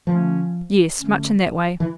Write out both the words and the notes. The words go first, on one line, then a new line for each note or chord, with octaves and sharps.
'Yes, much in that way.
D3 F3 A3 C#4
D3 A3 C#4
E3